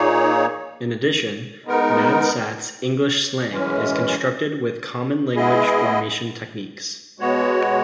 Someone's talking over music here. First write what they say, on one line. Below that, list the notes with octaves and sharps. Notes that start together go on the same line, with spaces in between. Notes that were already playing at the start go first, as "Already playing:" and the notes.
In addition, Nadsat's English slang is constructed with common language-formation techniques.
Already playing: A#2 A#3 D#4 G#4 C#5
G#3 B3 D#4 A#4
F#2 E3 G#3 C#4
G#3 B3 E4 G#4 D#5
B2 G#3 B3 F#4 C#5